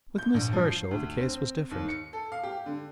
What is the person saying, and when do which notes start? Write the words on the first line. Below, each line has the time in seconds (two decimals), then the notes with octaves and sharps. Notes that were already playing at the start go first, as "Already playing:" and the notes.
With Miss Herschel the case was different.
0.18 G6
0.34 A#1
0.53 F3
0.70 C7
0.91 D2
1.19 C4
1.71 D#2
1.88 C#7
2.13 A4
2.32 F5
2.43 G4
2.66 D3